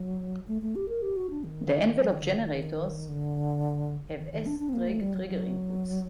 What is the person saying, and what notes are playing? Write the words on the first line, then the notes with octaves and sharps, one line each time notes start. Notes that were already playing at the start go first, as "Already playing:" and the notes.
The envelope generators have S-trig trigger inputs.
Already playing: F#3
A3
A3
G4
A#4
G4
F#4
D4
D#3
F#3
D#3
D3
D#3
D3
D#3
D#3
D4
D4
C4
A#3
A3
G3
F#3
F#3